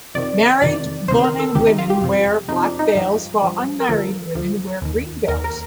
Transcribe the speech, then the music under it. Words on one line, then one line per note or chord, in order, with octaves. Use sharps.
Married Bonan women wear black veils, while unmarried women wear green veils.
F2 C3 D#3 D5
F2 C3 D#3 D5
D2 C3 D#3 C5
A#4
A4
D2 C3 D#3 G4
D#4
F4
G4
F2 C3 F3
F2 C3 F3 D#4
D4
D#4
G2 F3 G4
G2 F3
A#4
D2 D3 F3 A4
D2 D3 F3
D#2 D#3
D#2 D#3 A#4
A#4